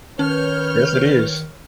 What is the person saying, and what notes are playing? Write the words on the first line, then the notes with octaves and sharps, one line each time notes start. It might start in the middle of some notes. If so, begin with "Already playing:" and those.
Yes, it is.
D#3 C#4 B4 C#5 F6 G6